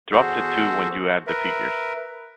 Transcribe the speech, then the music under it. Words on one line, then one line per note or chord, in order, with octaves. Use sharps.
Drop the two when you add the figures.
E2 F#4 G#4 A4 C5
A#4 B4 E5